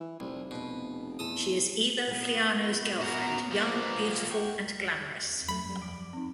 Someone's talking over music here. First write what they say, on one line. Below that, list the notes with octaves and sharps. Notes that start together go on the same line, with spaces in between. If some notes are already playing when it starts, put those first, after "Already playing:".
She is Ivo Flaiano's girlfriend, young, beautiful and glamorous.
E3
F1 C2
B2
E2 A4 D#6
A#2 B3
F#4 A#4
F3 A#3
F#5 G5 C#6
F#2 A3 B5
F#2 G3
F3 D6
C4 D#4